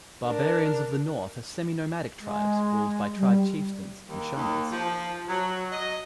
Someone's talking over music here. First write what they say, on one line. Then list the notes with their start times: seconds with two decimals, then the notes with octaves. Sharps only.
Barbarians of the North are semi-nomadic tribes ruled by tribe chieftains and shamans.
0.25 D4 A#4
2.20 G#3
3.16 G3
4.09 D#2
4.36 D#2
4.72 F3
5.29 F#3
5.72 D#5